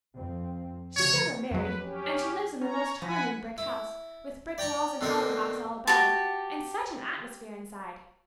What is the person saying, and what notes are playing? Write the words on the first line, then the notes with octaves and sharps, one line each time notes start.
She's never married, and she lives in the most charming brick house, with brick walls and hollyhocks all about it, and such an atmosphere inside!
F2 C4
D2 C#3 F3 C#5
F2 F#3 B4
C#4 G4
C#4 C#5 A#5
F3 F#5 G#5 B5 A#6
E4
D5 G5 A#5 C#6
B2 D3 C4 D#4 A#4
F#4 G4 A5